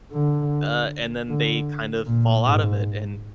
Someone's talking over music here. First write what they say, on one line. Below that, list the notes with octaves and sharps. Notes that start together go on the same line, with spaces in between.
uh, and then they kind of fall out of it, and
D3
D3
A#2
G#2